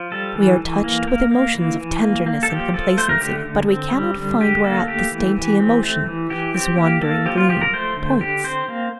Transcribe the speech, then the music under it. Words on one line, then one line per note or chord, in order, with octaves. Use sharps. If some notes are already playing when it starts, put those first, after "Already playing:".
We are touched with emotions of tenderness and complacency, but we cannot find whereat this dainty emotion, this wandering gleam, points.
Already playing: F3
G3 A4
E3
E3
A#3
A#3 A#4
A#3
E3
E3
A#3
A#3
A4
F3 G4
F3 A4
A3 C5
A#4
D3 G4
D3
C4
G3
D3
D3 G4
A#3 A4
A3 G4
E3
E3
C4
A3
E3
E3 G4
C4 G4
A#3 G4
A#3 A4
F3 G4
F4
F3 G4
A#4
A3 C5
D3
D3 G4
C4 C5
A#3